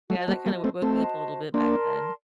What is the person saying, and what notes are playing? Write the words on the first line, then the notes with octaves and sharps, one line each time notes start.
Yeah, that kinda w woke me up a little bit back then.
F#3 A3 F#4 C5 D#5 A5
G3 A#3
G3 A#3
A3 C4
A3 C4 F#4 C5 D#5 A5
A#3 D4 A#4 D5 A5 C6